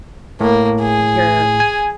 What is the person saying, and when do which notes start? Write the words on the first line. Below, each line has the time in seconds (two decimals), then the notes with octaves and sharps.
n you're
0.41 A2 A#3
0.81 G#4
1.60 G#5